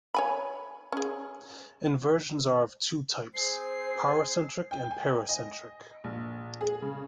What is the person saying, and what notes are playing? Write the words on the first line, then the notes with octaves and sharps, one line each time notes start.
Inversions are of two types: paracentric and pericentric.
C#5 G#5 B5
C#4 G#4
C4 G#4 C5 C7
G5
G#5
D#5
A#1
G#4
C#3